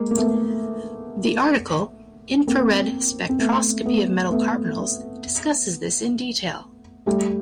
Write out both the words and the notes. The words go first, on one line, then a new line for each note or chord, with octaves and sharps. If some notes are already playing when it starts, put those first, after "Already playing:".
The article infrared spectroscopy of metal carbonyls discusses this in detail.
Already playing: G#3 A#3
A#3
A3 B3
A#3 C4
C4
A3 B3
A3 B3
A3 B3
G3 A3